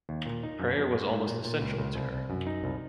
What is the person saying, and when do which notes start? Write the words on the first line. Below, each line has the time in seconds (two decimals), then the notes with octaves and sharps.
Prayer was almost essential to her.
0.09 D#2
0.26 A#2
0.43 D#4
0.59 F#2
0.77 F#2
0.94 G#2
1.10 G#2
1.27 A#2
1.45 A#2
1.61 C#2
1.78 C#2
1.95 C2
2.13 C2
2.30 F#2
2.47 D#4
2.64 C2